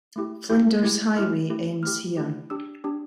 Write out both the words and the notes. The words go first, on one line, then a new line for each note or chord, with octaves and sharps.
Flinders Highway ends here.
A3 E4 G4
A3 E4 G4 G6
A3 E4 G4
A3 E4 G4 F6
A3 E4 G4
A3 E4 G4 F6
A3 E4 G4
D4 G4 E6
D4 G4